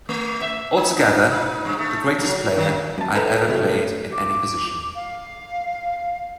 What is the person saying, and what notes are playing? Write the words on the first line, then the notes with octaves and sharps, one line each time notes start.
Altogether, the greatest player I've ever played in any position.
A3
E5
D#4
D4
D#4
G2
A3
F#3
D#3
F#2 A5
A4 B4 E5 G5 A5 A#5
F#2 A2 C3 F#3 A3
D6
F5